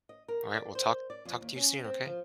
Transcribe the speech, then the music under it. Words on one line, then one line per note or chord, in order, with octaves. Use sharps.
Alright, well talk talk to you soon, okay?
D#5
A#4
D5
C5
D5
F2
D#2
C#4
C4
F3